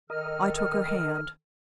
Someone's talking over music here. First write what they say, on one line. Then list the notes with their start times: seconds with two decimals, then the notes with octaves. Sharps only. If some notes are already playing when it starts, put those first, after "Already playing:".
I took her hand.
0.10 D#3 A4 A#4 D#5 F6